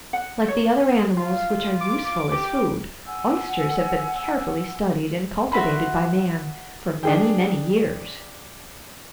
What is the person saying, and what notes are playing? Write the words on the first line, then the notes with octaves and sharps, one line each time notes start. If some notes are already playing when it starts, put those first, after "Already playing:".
Like the other animals which are useful as food, Oysters have been carefully studied and cultivated by man for many, many years.
F#5
C#5
F4
D6
G4
F#5 G#5 E6
F#4 E5 B5 C6
D4 G#4 G5